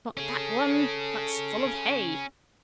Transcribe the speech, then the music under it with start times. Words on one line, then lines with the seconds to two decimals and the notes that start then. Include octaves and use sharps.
Not that one--that's full of hay!'
0.17 C#4 G#4 A4